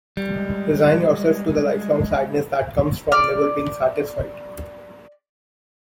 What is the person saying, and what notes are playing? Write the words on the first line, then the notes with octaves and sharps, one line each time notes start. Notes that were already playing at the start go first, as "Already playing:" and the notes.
Resign yourself to the lifelong sadness that comes from never being satisfied.
G3
G#3
D5 F6